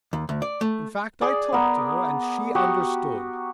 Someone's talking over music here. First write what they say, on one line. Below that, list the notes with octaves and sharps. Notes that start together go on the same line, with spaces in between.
In fact, I talked to her and she understood.
D#2
D2
D5
A3
G#4 D5
B3 A#4
F#4 G4 C#6 D#6